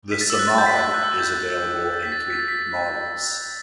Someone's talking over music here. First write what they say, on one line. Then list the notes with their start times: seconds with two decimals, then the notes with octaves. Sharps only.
The Samad is available in three models.
0.12 B6
0.21 A6
0.30 E6
0.39 F#6
0.48 A6
0.58 G6
0.66 B6
0.76 A6
0.85 G6
0.94 F#6
1.03 E6
1.20 G6
1.93 A6
2.03 B6
2.12 A6
2.30 B6
2.39 A6
2.48 B6